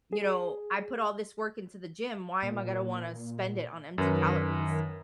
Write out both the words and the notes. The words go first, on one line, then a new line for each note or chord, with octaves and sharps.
you know, "I put all this work into the gym, why am I gonna wanna spend it on empty calories?"
G#4
A#2
F#2 D#3 A#4 B4